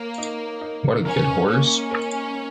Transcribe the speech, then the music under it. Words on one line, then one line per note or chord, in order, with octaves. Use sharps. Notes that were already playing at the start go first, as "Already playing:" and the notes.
What a good horse ?
Already playing: A#3 A#4 C#5
D#4
D#4
C#4 A#4
A#3 C#4
A#4